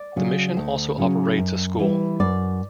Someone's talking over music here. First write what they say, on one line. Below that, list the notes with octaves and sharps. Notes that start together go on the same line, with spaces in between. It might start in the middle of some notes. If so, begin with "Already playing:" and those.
The mission also operates a school.
Already playing: D5
C#3 F#3 C#4
D2
C#3 F#3 C#4
F#2
E3 G3
F#2 D5